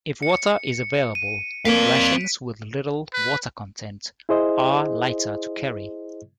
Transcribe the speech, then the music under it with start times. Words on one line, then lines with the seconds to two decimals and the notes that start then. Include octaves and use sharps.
If water is available, rations with little water content are lighter to carry.
0.23 C#7
1.15 D#7
1.65 A#3 C4 A#4 D5 F5 B6 D7
3.14 B4
4.29 E4 G#4 C5 D#5